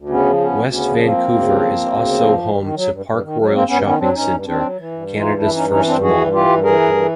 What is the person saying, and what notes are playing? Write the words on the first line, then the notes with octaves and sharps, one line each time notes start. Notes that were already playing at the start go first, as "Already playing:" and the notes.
West Vancouver is also home to Park Royal Shopping Centre, Canada's first mall.
Already playing: D2
C#3 B3 C#4
F3
D2 B3 C#4
D2
C#3 B3 C#4
F3
D2 A#3 C4
D2
C#3
F3
D2
D2
C#3
F3
G2
G2
D#3
F#3
G2
G2
D#3
F#3
G2 A#3 C4
G2 B3 C#4
D#3 B3 C#4
F#3 C4 D4
G2 C#4 D#4
G2
D#3 C4 D4
F#3
E3
G2
E3
G2 D#4 F4
E3 D4 E4
G2 C#4 D#4
E3 C#4 D#4
G2 C4 D4
E3 F#4 G#4
G2
E3 F4 G4
G2
E3 G#4 A#4
G2
E3